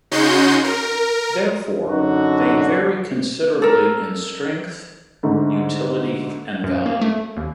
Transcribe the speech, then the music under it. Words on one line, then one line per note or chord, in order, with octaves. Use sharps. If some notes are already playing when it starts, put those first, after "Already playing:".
Therefore, they vary considerably in strength, utility, and value.
C#3 C#4 D#4 F#4 C6 G6
A#4
F#2 D3 D#4 F#4
A4 A#4
G#2 D3 A3
F#2
A#3
A3
D#2